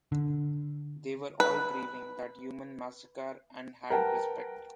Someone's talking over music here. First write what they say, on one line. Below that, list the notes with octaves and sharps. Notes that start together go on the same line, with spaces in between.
They were all grieving that human massacre, and had respect.
D3
B4
A#4 B4 F#5 G5 A5